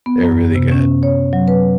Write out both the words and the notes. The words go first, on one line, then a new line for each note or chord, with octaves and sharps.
They're really good,
B3
F#2
C3
C#4
C#5
F#3
B4